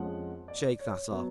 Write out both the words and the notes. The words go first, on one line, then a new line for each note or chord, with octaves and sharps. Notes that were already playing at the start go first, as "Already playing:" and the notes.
Shake that off!
Already playing: F2 F3 G#3 C#4 F#5
D5
C#5
B2 F#3 B3